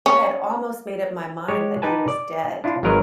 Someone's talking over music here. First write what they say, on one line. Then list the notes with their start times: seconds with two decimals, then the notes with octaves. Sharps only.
I had almost made up my mind that he was dead.
0.06 C#4
1.48 G#3 G4 C#5
1.82 D#4 G4 B4 G#5 A5
2.08 D5
2.64 D4 E4 F4
2.83 G#1 G#2 F#3 A#4 B4 D#5